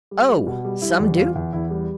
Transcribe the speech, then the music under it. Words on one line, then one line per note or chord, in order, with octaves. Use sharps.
"Oh, some do!"
G3
G3
B2
G3
G3 E4
E2
E2 F4
E2
E2 E4
G3